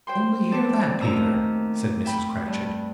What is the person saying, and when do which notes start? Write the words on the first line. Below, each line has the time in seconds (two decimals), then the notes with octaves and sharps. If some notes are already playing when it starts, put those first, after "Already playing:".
"Only hear that, Peter," said Mrs. Cratchit.
0.07 C5 G5 C6
0.51 C4 A4 D5
1.01 D#2 A3 A#5 E6
2.05 E5 G5 B5
2.46 G2